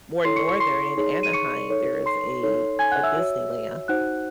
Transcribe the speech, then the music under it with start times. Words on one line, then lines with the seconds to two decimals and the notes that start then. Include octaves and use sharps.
more northern in Anaheim, there is a a Disneyland.
0.24 E4 A4 C#5 C6 C7
0.36 C#6 C#7
0.48 C#6 C#7
0.60 C6 C7
0.97 D#4 G#4 C#5
1.23 D#7
1.33 C#6 C#7
1.70 D#4 A4 C#5
2.06 C6 C7
2.43 D#4 A4 C#5
2.79 G#5 G#6
2.92 F#5 F#6
3.03 E5 E6
3.16 F#4 C#5
3.88 D#4 F#4 C5 F#5 F#6